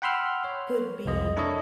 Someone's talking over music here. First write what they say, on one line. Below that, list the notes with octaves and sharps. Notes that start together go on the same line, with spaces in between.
could be
F#5 G5 B5 C6 E6 F6
C#5
C2 F2 G#3 D#5
D4 E4 A4 A#4 C#5 D#5